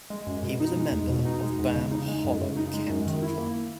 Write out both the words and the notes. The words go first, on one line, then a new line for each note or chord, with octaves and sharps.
He was a member of Bamm Hollow Country Club.
G#3
F#2
B2
D#4
G#3
E2
B2
D#4
G#3
E2
C#3
D#4
G#3
F#2
C#3
D#4
G#3
F#2
D#3
E4
A#3